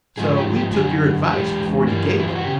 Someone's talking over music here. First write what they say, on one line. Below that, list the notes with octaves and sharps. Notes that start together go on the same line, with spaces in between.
So we took your advice before you gave it.
G#2 F3 G#3 G#4
G4
G4
F#2 D3 G3 G#4
F#4
E2 B2 G#3 G4
G2 E3 G3 A#3
E4
F4
F#4
C#3 G4